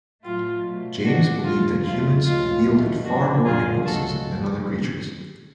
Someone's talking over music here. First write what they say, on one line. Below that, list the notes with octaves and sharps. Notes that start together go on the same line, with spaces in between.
James believed that humans wielded far more impulses than other creatures.
A2 F#3 A3 F4
B2 F#3 A3
A2 F3 G#3 D4 F#4
A2 F#3 A3 F4
F2 C#3 F3 A3 F4
D2 C#3 G#3 F4
B2 F#3 A3
F#2 F3 G#3 D4 F#4
F2 D3 F#3 A3 F4 G#4
D2 C#3 G#3 F#4 A4